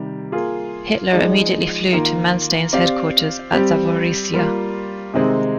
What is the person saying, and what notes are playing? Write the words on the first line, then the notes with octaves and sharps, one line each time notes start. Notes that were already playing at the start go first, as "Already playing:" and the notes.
Hitler immediately flew to Manstein's headquarters at Zaporizhia.
Already playing: C3 D#3 G3
A#3 F4 G#4
F3 G#3 D#4 G#4 D5
D#3 A#3 F4 A#4 F5
C4 G4 D5 F5
G3 C4 G4
G3 A#3 F4
C3 D#3 G#3 C4 D#4